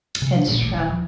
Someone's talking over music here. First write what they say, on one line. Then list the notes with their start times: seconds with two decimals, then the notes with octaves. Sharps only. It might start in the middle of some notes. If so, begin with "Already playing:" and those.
It's true.
0.22 C3
0.36 D4
0.49 A#2
0.61 A1
0.73 D#1
0.89 F3